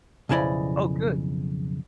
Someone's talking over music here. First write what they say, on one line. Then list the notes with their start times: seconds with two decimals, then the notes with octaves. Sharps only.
Oh, good.
0.29 B1 F2 C#3 E4 D5 D#5